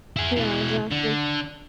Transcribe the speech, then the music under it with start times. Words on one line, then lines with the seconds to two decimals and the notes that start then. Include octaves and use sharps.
Yeah, exactly.
0.16 E4 G#4
0.36 B2 E3
0.91 D3